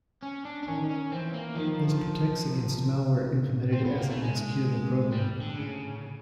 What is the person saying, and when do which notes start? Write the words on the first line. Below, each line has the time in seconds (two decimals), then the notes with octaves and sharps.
This protects against malware implemented as an executable program.
0.23 C#4
0.45 D4
0.63 D4
0.67 D#3 C#4
0.90 C#4
1.12 E3 C4
1.34 A#3
1.56 D#3 F3
2.45 C3
3.34 A2
3.72 C4
3.84 B3
3.98 A#3
4.10 A3
4.22 A#2 G#3
5.12 G3
5.42 D3
5.56 A2 C#3